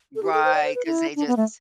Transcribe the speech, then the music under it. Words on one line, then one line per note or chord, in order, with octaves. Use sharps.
Right, 'cause they just
A4
G4
A4
C5
D5
C5
B4
E4
D4
B3
A3